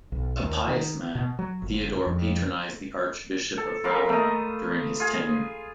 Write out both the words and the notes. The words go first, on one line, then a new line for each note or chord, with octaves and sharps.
A pious man, Theodore patronized the Archbishop of Ravenna during his tenure.
B1
D#2
D#3
B2
F#3
G1
F2
A4
F4 A#4 F5 B5
A3 D#5
F4 G#4